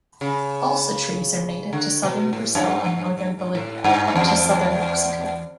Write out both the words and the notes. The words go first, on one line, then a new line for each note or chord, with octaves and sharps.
Balsa trees are native to southern Brazil and northern Bolivia, up to southern Mexico.
C#3
D3
B2
A2
F#2
G2
A2
G2
E2